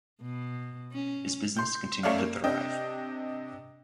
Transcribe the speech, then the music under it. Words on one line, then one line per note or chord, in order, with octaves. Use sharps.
His business continued to thrive.
B2
C#4
C6 G6
F#2 A3 C#5 D5 F5
A#3
C3 D4 D#5 G5